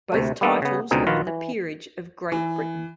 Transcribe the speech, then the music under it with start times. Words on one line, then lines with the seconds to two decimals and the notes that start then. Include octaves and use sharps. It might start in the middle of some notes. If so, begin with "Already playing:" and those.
Both titles are in the Peerage of Great Britain.
0.12 D2 C3 A3
0.41 G3 A#3 B3 D4 A4
0.62 C#3 B3
0.91 C#2 B2 D3 C4 D#4 G#4
1.07 A#1 D#3 F4 F#4 B4
1.27 E3
2.32 E3